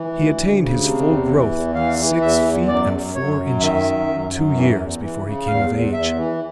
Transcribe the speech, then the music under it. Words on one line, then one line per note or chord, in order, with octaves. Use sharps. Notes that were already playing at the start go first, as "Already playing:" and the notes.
He attained his full growth, six feet and four inches, two years before he came of age.
Already playing: E3
D2
D2
C#3
C3
E2
E3
E2
E3 F5
E3
E2 E5
E2
F#2 D5
F#2
F#2 C#5
F#2
D#3 E5
F#2
F#2
F#2
E3
E2
E3
C#3
E2 F5
E2
E2 E5
E3